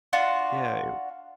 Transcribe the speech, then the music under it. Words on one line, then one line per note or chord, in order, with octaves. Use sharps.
Yeah, it w
D4 F4 F#4